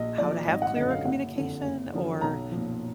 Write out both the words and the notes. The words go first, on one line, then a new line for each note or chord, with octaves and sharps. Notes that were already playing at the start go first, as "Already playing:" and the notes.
how to have clearer communication? Or,
Already playing: A#1 D#5
A#2 F3 D5
G#1 D#5
F#5
F#2 D3 D#5
F5
F#1 F#5
F2 D3
F#1
F#2 D3 F3
B1 A#5
A#2 F3